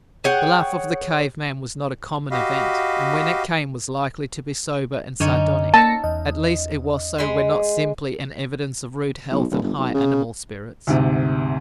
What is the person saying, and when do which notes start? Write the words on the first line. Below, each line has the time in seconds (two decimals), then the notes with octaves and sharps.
The laugh of the cave man was not a common event, and when it came was likely to be sober and sardonic, at least it was so when not simply an evidence of rude health and high animal spirits.
0.24 G#4 C#5 F#5 G5
2.31 F#4 G4 D#5 F5 B5
5.20 F#2 D3 C#4 D#4 C#5
5.74 A#3 A5 A#6 C#7
6.04 E2 D#5
7.18 G#3 B5 C6
9.31 B1
9.51 D#1
9.63 G1
9.78 B1
9.94 C#3
10.87 D2 G#2 C3